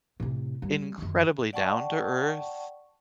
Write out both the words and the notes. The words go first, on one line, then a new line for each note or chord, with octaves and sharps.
incredibly down-to-earth,
A2 C3
G3
F#2 D#3
D5 F#5 G5 A5 C#6